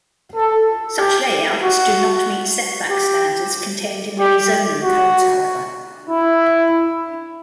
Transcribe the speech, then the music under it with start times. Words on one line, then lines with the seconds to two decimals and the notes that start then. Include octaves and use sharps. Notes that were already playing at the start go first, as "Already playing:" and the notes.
Such layouts do not meet setback standards contained in many zoning codes, however.
0.36 A4
0.99 G4
1.63 F#4
2.90 G4
4.19 G4
4.82 F#4
6.10 E4